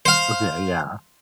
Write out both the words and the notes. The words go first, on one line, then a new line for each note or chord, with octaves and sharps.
Okay, yeah.
C5 F5